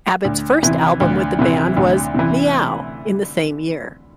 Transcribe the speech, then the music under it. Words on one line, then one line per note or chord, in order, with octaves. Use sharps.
Abbott's first album with the band was "Miaow" in the same year.
D2
C3 E3
D2
C3 E3
D2
C3 E3